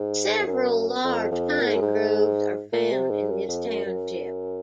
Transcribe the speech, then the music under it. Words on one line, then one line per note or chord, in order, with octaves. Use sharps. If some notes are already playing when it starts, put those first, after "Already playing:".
Several large Pine Groves are found in this Township.
Already playing: G#2
F2
F#2
F2
F2
A#2
G#2
F#2
G#2
A#2
C3
G#2
F#2
F2
F#2
F#2